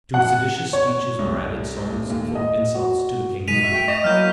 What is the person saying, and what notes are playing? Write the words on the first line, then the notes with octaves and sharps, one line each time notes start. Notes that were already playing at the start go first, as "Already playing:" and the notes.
To seditious speeches were added songs full of insults to the King and Queen.
F#5
C#5
C2
D#1
D#2
D#5
F#4
G#2 B2 G#3 B6 D#7 F7
F#4 E5
A3 G5
D#5 C#6 E7
F#3 A#3 E4 F6 G6